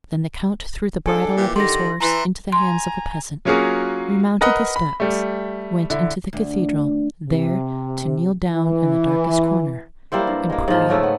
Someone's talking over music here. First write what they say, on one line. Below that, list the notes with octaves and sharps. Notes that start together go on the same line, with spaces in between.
Then the count threw the bridle of his horse into the hands of a peasant, remounted the steps, went into the cathedral, there to kneel down in the darkest corner and pray.
G#2 D4 A4 G#5
A#2 E3 G4
D3 D#3 G4 C6 A#6
E3 A#5 C6
G#5 A#5 C6
F#3 A#3 C#4 F4 F#4 G#4
A#4 B4 D#5 F#5
B5
G3 A3
D3 E4
D2
C3
E3
G3 A#3 E4 C5
G2
G#3 A#3
G#2 F3
G#2 C#3 A3 E5
B3